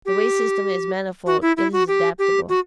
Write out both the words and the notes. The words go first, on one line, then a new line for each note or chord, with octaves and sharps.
The wage system is manifold, it is adaptable.
G4
F#4
E4
E4
F#4
G4
G4
F#4